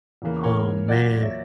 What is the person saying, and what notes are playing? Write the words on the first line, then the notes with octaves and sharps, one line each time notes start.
Oh, man.
E2 C#3 E3 A#3
A#4 C#5
A#2 F#3 A#3 D5 F#5
C#5 E5